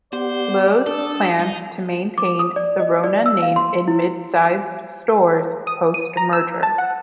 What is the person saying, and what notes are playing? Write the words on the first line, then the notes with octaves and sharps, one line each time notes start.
Lowe's plans to maintain the Rona name in mid-sized stores post-merger.
B3 G4 C5 D5 F#5
D4 A4 D#6
G3 D#4
D6
D#6
D5
D#5
D5
E6
F5
C6
E4
D#6
D#7
A#5
E6
A5
F#5